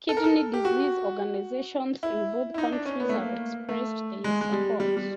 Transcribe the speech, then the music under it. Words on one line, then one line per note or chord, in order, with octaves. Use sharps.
Kidney disease organisations in both countries have expressed their support.
A4
A#4
A4
G4
F#4
E4
E4
D#4
D4
C#4
B3
A3
A#3
A3
G#3
G#3
G3
G3
G3